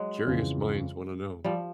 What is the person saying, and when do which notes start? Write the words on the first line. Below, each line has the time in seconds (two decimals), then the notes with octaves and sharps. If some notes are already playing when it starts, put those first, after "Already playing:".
curious minds want to know.
Already playing: F#3 G#3
0.27 F2 C#3 E3
1.44 F3 G3